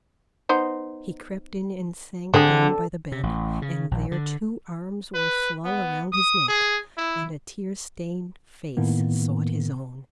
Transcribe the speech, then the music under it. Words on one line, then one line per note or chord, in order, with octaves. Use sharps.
He crept in and sank down by the bed, and there two arms were flung around his neck, and a tear-stained face sought his own.
B3 D#4 C5
D3 C4 G#4
C3
A1
C#3
A#1
D3
B4
B3
D#6
G#4
E4
A2 D#3 A#3 B3